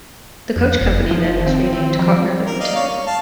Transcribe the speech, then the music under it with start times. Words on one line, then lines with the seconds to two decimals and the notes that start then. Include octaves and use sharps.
The coach company then was renamed "Cotner-Bevington".
0.56 F2
0.81 F#1
1.11 F3
1.46 D#3 C4
1.99 F3
2.47 A#4
2.60 D5 D#5 F5
2.76 C#5 F5
2.88 C#5
3.07 F5 A5